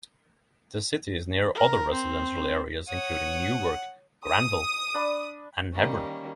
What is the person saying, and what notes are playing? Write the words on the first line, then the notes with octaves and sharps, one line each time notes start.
The city is near other residential areas including Newark, Granville, and Hebron.
A#4
C4
C#5 F#5 D#6
D#6
D4 B5
D#3 G3 A#3 C#4